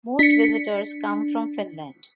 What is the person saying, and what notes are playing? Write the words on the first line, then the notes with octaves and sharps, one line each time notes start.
Most visitors come from Finland.
D4 B6 C#7